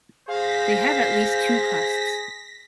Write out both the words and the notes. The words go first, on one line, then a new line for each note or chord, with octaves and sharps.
They have at least two cusps.
G#4 C5 F5 A#6 B6